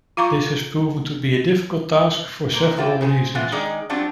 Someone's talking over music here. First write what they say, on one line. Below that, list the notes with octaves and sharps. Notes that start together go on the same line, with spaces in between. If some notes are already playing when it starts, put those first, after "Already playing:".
This has proven to be a difficult task for several reasons.
F4 F5 A#5 C#6 D6
A#3 A#4 C5
C4 D4 E4 F4 G4 C5
C#3 G#4 C5 G#5
E3 G#3 B3 C4 F4
D#3 G#3 D#4 G#4 D5
F#3 G3 C4 D4 F4 F#4